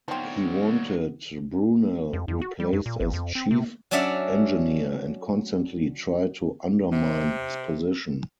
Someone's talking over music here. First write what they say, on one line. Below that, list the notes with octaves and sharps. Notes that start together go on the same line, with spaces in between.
He wanted Brunel replaced as Chief Engineer and constantly tried to undermine his position.
D2 F3 F#3 B3 C4 D#4 F#5
F2
F2
F#4
G3
F#2
A#2
G#1
F2
C4
C3
F#3 C#4 D4 D5 E5 F#5
C3